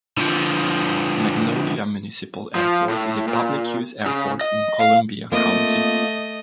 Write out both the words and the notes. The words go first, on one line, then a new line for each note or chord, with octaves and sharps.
Magnolia Municipal Airport is a public-use airport in Columbia County.
D3 F3
F3
A2
A#2
C#3
D#5
F5
A3 A#3 C4 F4 D#5